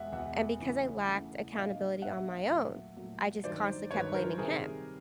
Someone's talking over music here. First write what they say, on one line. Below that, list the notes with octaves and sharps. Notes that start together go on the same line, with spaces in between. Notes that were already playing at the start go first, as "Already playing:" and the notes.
And because I lacked accountability on my own, I just constantly kept blaming him.
Already playing: E2 B2 G#3 E5 F#5
E2 B2 G#3 E5 F#5
C#3 E3 A3
C#3 E3 A3
A#2 F#3 B3 D4 D#5 F5
A#2 F#3 B3 D4 E5 F#5
A#2 F#3 A3
A#2 F#3 A3
G2 D#3 F#3 C5 D5
G2 D#3 F#3 B4 C#5
A#4 C5
C3 D#3 G3 G#4 A#4